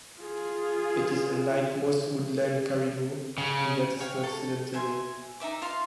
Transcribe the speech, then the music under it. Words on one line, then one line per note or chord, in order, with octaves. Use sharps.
It is unlike most woodland caribou in that it is not sedentary.
F4 G#4
C#3
C#5 F5 G5 C#6
A4
E5 G#5 C6
D#4 A4 E5 D6
F4 F5 C6